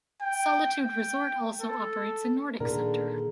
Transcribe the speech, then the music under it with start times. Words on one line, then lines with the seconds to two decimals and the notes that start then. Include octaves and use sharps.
Solitude Resort also operates a nordic center.
0.21 G5
0.71 G5
1.62 A4
2.60 A#2 D3 D#3 G#4 A#4